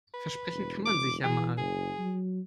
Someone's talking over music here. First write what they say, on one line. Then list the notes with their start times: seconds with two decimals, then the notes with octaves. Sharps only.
Versprechen kann man sich ja mal.
0.14 B4
0.53 E1
0.85 D6
1.23 E3 G#4
1.58 F#1 G#4
1.99 F#3